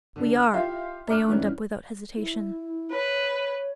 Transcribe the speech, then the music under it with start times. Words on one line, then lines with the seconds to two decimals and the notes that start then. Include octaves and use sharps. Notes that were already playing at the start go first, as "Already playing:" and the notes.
"We are," they owned up without hesitation.
0.16 D3 D4
0.36 F6
0.53 E4 F4 G4 E5 F5 C6
1.07 E5 A#5 D6 F6 F#6
1.28 G#2 E3 G3 C#4 E4
2.17 E4
2.91 B4 C#5